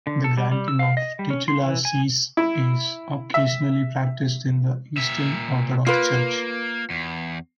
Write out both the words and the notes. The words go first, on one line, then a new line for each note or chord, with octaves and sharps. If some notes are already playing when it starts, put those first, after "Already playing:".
The granting of titular sees is occasionally practised in the Eastern Orthodox Church.
D3
A4
G3
G3
E6
F5
D#5
G3
C#4
C6
E3
G#5
E4
E5
A#2 E5
A#3 F4 B4
E2